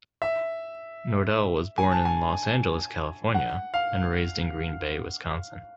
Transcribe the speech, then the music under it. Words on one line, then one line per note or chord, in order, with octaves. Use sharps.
Nordell was born in Los Angeles, California and raised in Green Bay, Wisconsin.
E5
G#5
A5
G#5
F#5
F5